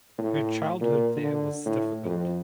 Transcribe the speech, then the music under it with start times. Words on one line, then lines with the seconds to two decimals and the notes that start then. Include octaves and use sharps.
Her childhood there was difficult.
0.18 A2
0.81 A#2
1.17 D3
1.66 A2
2.05 F2